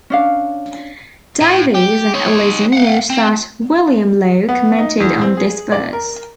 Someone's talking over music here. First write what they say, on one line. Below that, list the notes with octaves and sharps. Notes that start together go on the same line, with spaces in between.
Davies and Allison note that William Law commented on this verse.
C#4 D4 F5
A2
G4
D#4 C#5
F5 F#5
C4
B3
D#4
E2
C4
G#4
D5
A#4